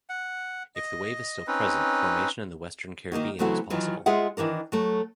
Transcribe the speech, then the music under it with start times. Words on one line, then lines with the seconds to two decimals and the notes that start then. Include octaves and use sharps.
If the wave is still present, formation in the Western Caribbean is possible.
0.10 F#5
0.75 D#5
1.47 C4 C#4 D#4 B4
3.12 D#3 A#3 D#4 F#4
3.39 C#3 E3 F#3 A3 C4 F#4
3.70 D#3 E3 F#3 F4
4.06 G#3 F4 G#4 E5 F#5
4.37 D#3 E3 D4 A#4
4.72 F#3 A3